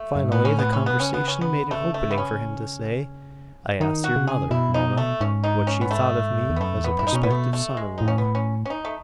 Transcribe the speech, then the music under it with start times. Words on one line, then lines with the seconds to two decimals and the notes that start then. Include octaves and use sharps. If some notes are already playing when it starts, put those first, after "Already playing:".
Finally the conversation made an opening for him to say, "I asked your mother, Mona, what she thought of me as a prospective son-in-law."
Already playing: A3
0.16 F#2
0.24 G#2
0.32 A2 B3
0.45 C#4
0.59 B3
0.73 C#4
0.86 B2 B3
1.00 C#3 C#4
1.14 B3
1.28 C#4
1.41 B3
1.71 A3
1.94 A3
2.11 B3
2.18 C#4
3.80 D#3 D#4
4.04 F#4
4.16 C#3
4.27 G#4
4.50 B2 E4
4.74 D#4
4.97 A3
5.21 G#2 C#4
5.44 D#4
5.67 C#4
5.81 B3
5.91 A3
6.50 E2
6.56 B3
6.60 F#2 A3
6.78 E2
6.84 B3
6.96 F#2 E4
7.07 D#4
7.13 B2 C#4
7.23 A2 B3
7.30 B2 A3
7.53 A3
7.77 G#3
7.98 A2 D#4
8.08 C#4
8.18 B3
8.35 C#4
8.66 C#4
8.70 D#4
8.85 A3